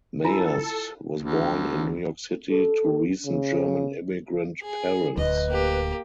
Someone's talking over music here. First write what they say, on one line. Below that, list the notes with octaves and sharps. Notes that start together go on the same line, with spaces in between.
Meyers was born in New York City to recent German immigrant parents.
E4 F4 A4 G#5
D2
A4
C#3
G#4
D1 D2 B4 D#5
A#3 G4